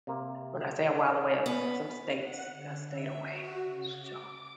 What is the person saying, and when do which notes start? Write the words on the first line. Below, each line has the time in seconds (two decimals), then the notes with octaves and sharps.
When I say a while away, it's some states I stayed away, so
0.07 C3 A#3
1.46 B3 C#4
2.13 F#5
2.49 D3
2.88 E5
3.20 F#4
3.64 C#3
3.98 D6